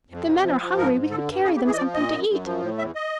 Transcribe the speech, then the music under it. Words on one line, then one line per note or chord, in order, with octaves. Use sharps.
If the men are hungry we could carry them something to eat.
F2
C3
F3
F3
G#2 A#4
G#2
D3 A4
G2
C#3 G#4
G4
E3
G#4
D#5
F3 D5
A#2 D#5
F#2
F#2
F3
A2
E2 E5
D#5